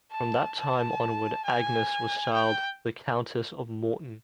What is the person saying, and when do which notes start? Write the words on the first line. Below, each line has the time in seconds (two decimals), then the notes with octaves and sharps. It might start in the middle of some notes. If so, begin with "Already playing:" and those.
From that time onward Agnes was styled the Countess of Morton.
0.11 A5
0.56 A5
1.45 G#5
2.33 G5